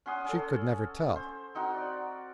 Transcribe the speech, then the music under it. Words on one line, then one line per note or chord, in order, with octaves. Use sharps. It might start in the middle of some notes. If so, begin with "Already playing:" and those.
She could never tell.
C#4 F#5 C6 D#6
C#4 A4
C5
C4 D#4 F#4 A#4
D5